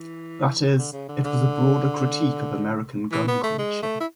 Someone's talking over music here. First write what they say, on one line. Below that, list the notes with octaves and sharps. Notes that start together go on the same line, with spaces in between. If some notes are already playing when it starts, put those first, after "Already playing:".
That is, it was a broader critique of American gun culture.
Already playing: E3
D3
C#3
D3
D3
E3
B3
A3
G#3
A3
E4